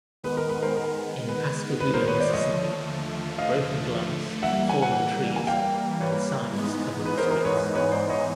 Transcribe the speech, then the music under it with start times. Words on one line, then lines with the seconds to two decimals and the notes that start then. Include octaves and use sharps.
In Pascagoula, Mississippi, broken glass, fallen trees and signs covered the streets.
0.24 D#3 G#3 B3 B4
0.37 A#4
0.50 B4
0.62 A#4 C5
0.77 A#4
1.29 B4
1.80 B4
1.94 A#4 C5
2.07 B4 C#5
2.20 C5 D5
2.33 D#2 D3 F3 A3 C#5 D#5
3.38 D#5 F5
4.42 E3 G3 A#3 E5 F#5
4.69 F#5 G#5
4.82 F#5 G#5
5.36 G#5
5.47 F5 G5
6.00 B4 C#5
6.53 G#2 E3 G#3 B3 D#4
7.06 B4
7.17 A#4 C5
7.31 A#4 C5
7.44 B4 C#5
7.57 B4
7.75 B4 C#5
7.92 C5 D5
8.10 C#5 D#5